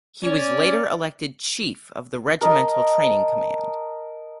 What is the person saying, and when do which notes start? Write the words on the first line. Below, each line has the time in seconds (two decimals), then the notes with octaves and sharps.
He was later elected chief of the regimental training command.
0.23 C#4 D5
2.41 A#4 D#5 A5